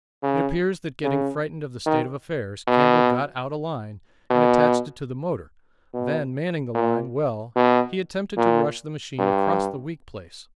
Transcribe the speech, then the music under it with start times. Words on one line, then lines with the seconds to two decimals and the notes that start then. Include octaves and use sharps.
It appears that getting frightened of the state of affairs Campbell got out a line and attached it to the motor--then manning the line well he attempted to rush the machine across the weak place.
0.22 C#3
1.03 C#3
1.86 D#3
2.67 B2
4.30 B2
5.93 B2
6.74 A#2
7.55 B2
8.37 A#2
9.18 G2